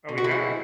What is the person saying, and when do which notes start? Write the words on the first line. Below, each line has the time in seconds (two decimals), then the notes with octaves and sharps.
Oh, he has?
0.09 B2
0.18 F#4
0.24 E4
0.31 G#3